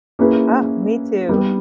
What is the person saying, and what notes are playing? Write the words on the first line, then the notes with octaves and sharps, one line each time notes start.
Uh, me too.
A#3 C#4 E4 G#4 B4
G3 B3 G4